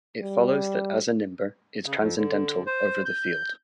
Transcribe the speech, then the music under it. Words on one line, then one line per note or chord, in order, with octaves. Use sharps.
It follows that as a nimber, is transcendental over the field.
G3
C#3
F2
D3
C5
G6